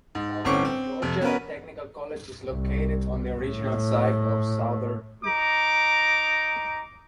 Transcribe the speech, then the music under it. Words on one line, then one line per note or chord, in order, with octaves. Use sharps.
South Georgia Technical College is located on the original site of Souther Field.
G#2
G1 A2 C4 C#4 C#6 D6
C4
F2 C3
B3 C#4 F#4 A#4 B4
C2
A2
D#4 A#5 D6